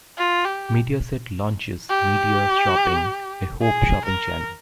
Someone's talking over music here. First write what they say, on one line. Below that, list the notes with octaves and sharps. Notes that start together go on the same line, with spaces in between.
Mediaset launches Media Shopping, a hope shopping channel.
F4
G4
G4
G#4
A#4